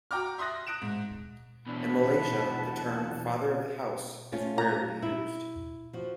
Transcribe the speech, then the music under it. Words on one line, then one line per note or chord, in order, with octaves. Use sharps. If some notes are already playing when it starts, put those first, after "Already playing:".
In Malaysia the term "Father of the House" is rarely used.
F#4 G5 A#5 D6 F6
E5 C6 D#6 F#6 A#6
D#6 F#6 D7 E7
G#2
E2 B2 D3 F#5 A5 B5
A3 C#4 F4
A#5
E4
F3 F#4